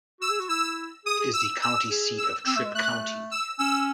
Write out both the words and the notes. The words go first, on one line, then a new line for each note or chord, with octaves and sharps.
It is the county seat of Tripp County.
F#4 E6
G#4
F#4
E4 E6
G#4 D#6
G#4
E6
E6
G#4
E6
C4 E6
A3
G#3
A3 F#6
E6
C#4 E6